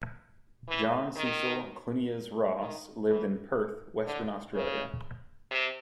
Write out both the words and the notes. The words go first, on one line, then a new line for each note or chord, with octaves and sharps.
John Cecil Clunies-Ross lived in Perth, Western Australia.
E3
D#3
D#3
E3
D3
C#3
C3